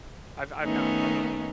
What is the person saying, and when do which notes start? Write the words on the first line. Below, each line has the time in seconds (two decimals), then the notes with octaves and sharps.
I've I've not I've not.
0.62 D#3 A3 B3 C#4 D#4